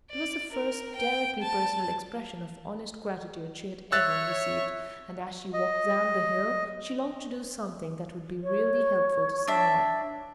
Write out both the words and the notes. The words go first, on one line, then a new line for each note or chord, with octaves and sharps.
It was the first directly personal expression of honest gratitude she had ever received; and as she walked down the hill, she longed to do something that would be really helpful to some one.
D5
A#4
G5
A5
C#5 E5 E6 F#6 A6
D#5
C#5
D4 E5